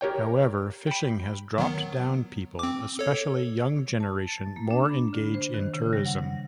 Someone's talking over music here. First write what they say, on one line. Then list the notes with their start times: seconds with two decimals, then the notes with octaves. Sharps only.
However fishing has dropped down people especially young generation more engage in tourism.
0.01 G4 A#4 C#5 G5
0.87 G5 B5
1.58 D#3 F#3 B3
2.59 C4 D6
2.99 A4 C#5
4.00 A5
4.28 A6
4.56 A#3
4.71 D4
4.89 B5
5.13 D3
5.34 C5
5.54 D#3
5.74 C#3
5.93 G3
6.05 F#5